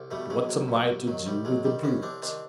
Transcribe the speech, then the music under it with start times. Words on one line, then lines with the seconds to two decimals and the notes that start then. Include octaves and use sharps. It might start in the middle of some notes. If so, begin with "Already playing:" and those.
"But what am I to do with the brute?"
Already playing: C2
0.11 B2 G3 A3
0.30 B2 F#3 G#3
0.49 C2 F#3
0.68 B2
0.88 C2
1.07 D#3 F#3
1.26 C2 G3
1.45 C2 F#3 G#3
1.65 D#3 G3
1.83 C2 B3 C#4
2.02 C2 C4 D4
2.22 D#3 C4 D4